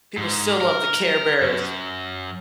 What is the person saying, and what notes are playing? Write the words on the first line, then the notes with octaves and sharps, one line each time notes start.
People still love the Care Bears.
G#2
A#4
F#2